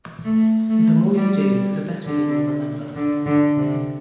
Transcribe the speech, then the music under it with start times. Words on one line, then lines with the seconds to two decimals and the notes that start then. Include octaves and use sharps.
The more you do, the better you will remember.
0.25 A3
0.69 A3
1.15 G3
2.05 D3
2.96 D3
3.26 D3
3.57 C3